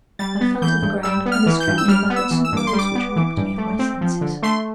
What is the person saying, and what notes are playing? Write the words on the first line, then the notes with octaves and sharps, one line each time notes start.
I fell to the ground, and the stranger muttered some words, which robbed me of my senses.
G3 A6
B3
E3 G6
G2
G3 E6
B3
F6
E3
G6
G2
E6
G3 F6
B3
E6
E3
E6
G2 D6
C6
G3
D6
B3
E3
G2
A3
C4
F3
D3
A3 C6